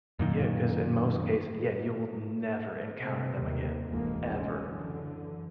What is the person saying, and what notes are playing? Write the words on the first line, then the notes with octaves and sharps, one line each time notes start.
Yeah, 'cause in most case Yeah, you will never encounter them again. Ever.
F#2 A#2 D#3
C3 A3 C4
D#2 C3 D#3
F1 D2 A2 E3 G#3 A#3
C3 G#3 C#4
F#2 D3 E3